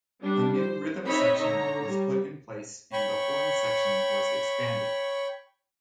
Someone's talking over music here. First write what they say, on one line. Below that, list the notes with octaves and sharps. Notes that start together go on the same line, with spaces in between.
A new rhythm section was put in place, and the horn section was expanded.
G3 D4
C5
C4 D#4 C#5 D#5 E5 B5
D3 C#5 A#5
G3
C#5 G5 B5 C#6